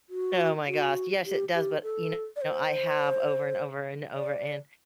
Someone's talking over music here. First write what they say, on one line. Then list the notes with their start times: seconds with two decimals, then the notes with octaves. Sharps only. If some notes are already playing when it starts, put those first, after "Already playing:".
Oh my gosh, yes, it does, but, you know, I have over, and over, and over, and,
0.10 F#4
0.68 F#4
1.25 G4
1.54 G4
1.83 A4
2.36 D5
2.42 C5
4.15 D5